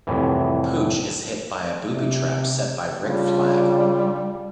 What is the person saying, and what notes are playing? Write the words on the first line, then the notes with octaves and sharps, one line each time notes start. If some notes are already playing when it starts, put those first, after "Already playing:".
Pooch is hit by a booby trap set by Rick Flag.
C2 F2 A2 E3
C3
C#3 G3 D4 F4